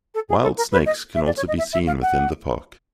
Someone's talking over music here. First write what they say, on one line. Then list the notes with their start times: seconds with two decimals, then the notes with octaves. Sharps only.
Wild snakes can also be seen within the park.
0.14 A4
0.29 G#4
0.42 A4
0.57 A#4
0.72 B4
0.86 D#5
1.15 E5
1.25 D5
1.37 C#5
1.47 D#5
1.58 E5
1.73 E5
1.87 F5
2.02 F#5